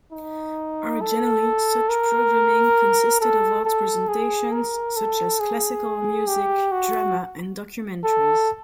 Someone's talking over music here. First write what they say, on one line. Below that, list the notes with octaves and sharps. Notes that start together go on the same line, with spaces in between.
Originally, such programming consisted of arts presentations such as classical music, drama, and documentaries.
D#4
A4
A#4
A4
A4
G#4
A#4
A4
G#4
G4
F#4
A4